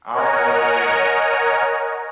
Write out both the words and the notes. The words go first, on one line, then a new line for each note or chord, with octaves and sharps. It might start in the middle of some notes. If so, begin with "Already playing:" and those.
I don't know if they had it
A#4 C#5 D#5 F#5 G#5 A#5